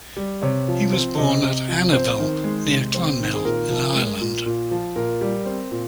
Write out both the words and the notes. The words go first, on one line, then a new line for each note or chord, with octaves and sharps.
He was born at Annerville, near Clonmel in Ireland.
G3
C3 C#5
F3
C4
C3 D#5
C3
F3
C4 C5
D#3
G#3
C3
C4
D#3
G#4
A#2 A#4
F3
G#3
A#2
A#2
F3
A#2 A#4
G3
C4
A#2